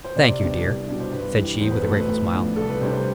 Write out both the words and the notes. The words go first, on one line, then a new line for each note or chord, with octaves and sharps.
"Thank you, dear," said she, with a grateful smile.
C5
C3 D5
G3 B3 D4
C2
B2 G3 D4
C5
G2 B4
E3 G3
E2 C5
B4
B2 A3 A4
B4
A2
F3 B3 D4
C2 A4
B4
C3 G3 D4 C5
C5